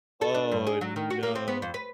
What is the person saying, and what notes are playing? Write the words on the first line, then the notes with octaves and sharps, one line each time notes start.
Oh, no.
A4
D4
G2
G#4
F#3
D#3
F#4
A#3
C4
B3
F2
B4